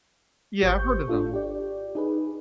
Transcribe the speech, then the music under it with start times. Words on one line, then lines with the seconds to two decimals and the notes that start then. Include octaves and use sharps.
Yeah, I've heard of them.
0.63 G#1 G4 C5 C#6 G6
1.08 D4 F4 A4
1.34 G4 D5
1.95 D#4 G#4 B4